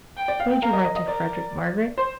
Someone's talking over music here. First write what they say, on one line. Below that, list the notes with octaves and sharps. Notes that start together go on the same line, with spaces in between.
'When did you write to Frederick, Margaret?
G5
D5
F5
G5
A#4 F5
D#5
D#5
D#5
A#4 D5
C5